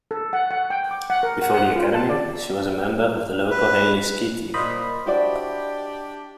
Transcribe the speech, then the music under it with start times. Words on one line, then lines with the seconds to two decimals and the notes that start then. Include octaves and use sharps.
Before the academy, she was a member of the local Hailey Ski Team.
0.11 A4
0.33 F#5
0.51 F#5
0.70 G5
0.91 D6
1.10 F#5
1.23 A#4
1.42 F#5
1.54 F#5
1.76 F4
1.94 A5
2.10 D5
3.50 B4
4.54 A#2 C5 D#5 B5
5.06 D4 E4 F#4 G4 D5